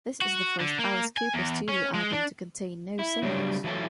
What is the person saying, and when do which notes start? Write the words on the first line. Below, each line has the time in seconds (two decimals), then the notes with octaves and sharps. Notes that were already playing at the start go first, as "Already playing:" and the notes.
This is the first Alice Cooper studio album to contain no singles.
0.22 F#4
0.60 D3
0.79 A#3
1.17 G#5
1.34 E2
1.69 C#4
1.95 G#3
2.13 D4
2.99 E4
3.22 C#3 F#3 G3 C#4 D4
3.64 E3 F#3 E4 G#4 A4